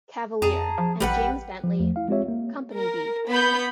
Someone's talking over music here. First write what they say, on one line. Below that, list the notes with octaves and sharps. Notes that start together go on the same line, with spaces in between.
Cavalier, and James Bentley, Company B.
F2 G#4 A5 A#5
F3
A1 G3 B4 F#5
F3
E2 F3 A3
E4 F5
G#3 C4 F4 G4 C#5 E5
A#3
A#4
B3 B5 G6